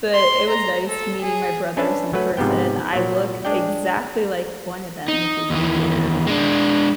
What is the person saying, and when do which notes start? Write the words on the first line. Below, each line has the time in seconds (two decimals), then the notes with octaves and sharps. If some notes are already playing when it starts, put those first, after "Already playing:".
but it was nice meeting my brothers in person. I look exactly like one of them, which is weird.
0.14 C6
0.50 A#5
0.88 A4
1.22 G#4
1.77 C#4 D4 B4 E5 A5
2.13 F#3 A3 B4 F#5
2.37 G#2 C3 F3 B3 G5
2.93 A#2 F#3
3.45 G#3 D4 D5 G5
5.08 D#4
5.50 D#2 E3
6.27 G#3 D4